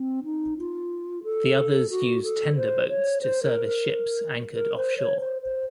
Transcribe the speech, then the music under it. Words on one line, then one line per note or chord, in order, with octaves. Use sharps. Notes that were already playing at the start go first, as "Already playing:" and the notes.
The others use tender boats to service ships anchored off shore.
Already playing: C4
D#4
F4
A4
F#4
A4
C5
C#5
C5
A#4
A#4
A#4
C5
C#5
C5
C5